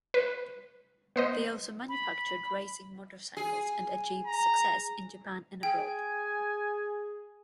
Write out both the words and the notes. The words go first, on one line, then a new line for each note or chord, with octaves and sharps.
They also manufactured racing motorcycles and achieved success in Japan and abroad.
B4
B3 C5 D#5
B5
G#4
A#5
G#4 G5 G#5